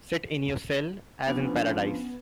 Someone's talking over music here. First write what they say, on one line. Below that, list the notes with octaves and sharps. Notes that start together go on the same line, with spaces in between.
Sit in your cell as in paradise.
F3 B3 C#4 D4